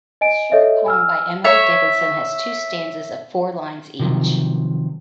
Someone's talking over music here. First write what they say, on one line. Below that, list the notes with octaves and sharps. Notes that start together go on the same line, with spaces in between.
This short poem by Emily Dickinson has two stanzas of four lines each.
D#5 G#5 D7
A4 C#5 D#5 E5
G#5 E6 F6
C#5 E5
C3 D#3 F3 F#3